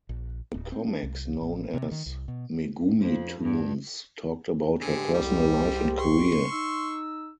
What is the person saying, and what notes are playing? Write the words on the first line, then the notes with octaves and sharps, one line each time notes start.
The comics, known as "Megumi-Toons", talked about her personal life and career.
A#1
D1
C4
D4
C2
A1
C3
D#3
C2
B2
F2
G2
G#2 D3 G4 G#4
C2 G3
C6 C#6
D#4 E6